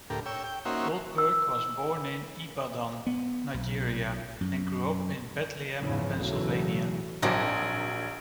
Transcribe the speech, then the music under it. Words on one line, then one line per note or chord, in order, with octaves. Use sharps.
Goldberg was born in Ibadan, Nigeria and grew up in Bethlehem, Pennsylvania.
D2 A2 G4 A#4
C#5 G5 E6
G5
A#3 C#4 D#4 F#4 C5 E5
E6
B3
B1
F#2
E2 G#2 C#3 E3 F3
B1 E2 C#3 E3 F#3 A3
A#1 F#3 C4 D4 D#4